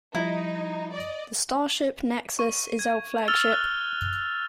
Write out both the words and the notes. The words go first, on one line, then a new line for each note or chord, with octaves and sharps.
The starship nexus is our flagship.
F3 G3 D#4 E4
D5 D#5
C#6
G#6
E6 F6 G#6 A6 F7 G7
F#6